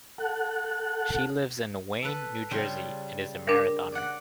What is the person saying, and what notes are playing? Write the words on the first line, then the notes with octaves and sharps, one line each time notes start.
She lives in Wayne, New Jersey, and is a marathoner.
A4 F#5
A4 B4
C#3 G3 F4
D4 A#4
D5 F#5